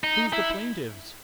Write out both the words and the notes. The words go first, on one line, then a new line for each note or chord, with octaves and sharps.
'Who's the plaintives?
D#4
E4